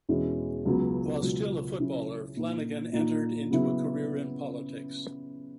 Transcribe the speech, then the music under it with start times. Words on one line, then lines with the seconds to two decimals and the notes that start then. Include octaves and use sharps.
While still a footballer, Flanagan entered into a career in politics.
0.09 E2 B2 G#3 C#4 E4
0.65 C#2 C#3 F#3 B3
1.22 C#2 B2 F#3
1.79 C#3 F#3 C#4 E4
2.36 A#2 A#3 D#4
2.93 A#2 A#3 D#4
3.50 C#3 F#3 B3 E4